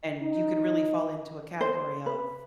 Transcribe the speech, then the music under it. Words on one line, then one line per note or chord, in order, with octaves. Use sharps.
And you can really fall into a category of,
D#4
C5
B4